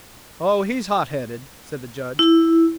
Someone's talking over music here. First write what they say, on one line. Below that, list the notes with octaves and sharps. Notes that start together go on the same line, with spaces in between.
"Oh, he's hot-headed," said the Judge.
E4